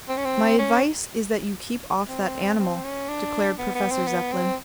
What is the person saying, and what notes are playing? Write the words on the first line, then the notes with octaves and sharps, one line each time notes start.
"My advice is that you keep off that animal," declared Professor Zepplin.
C4
C#4
C4
C#4
C4
C4
C#4
D4
B3
B3
C4
B3
C4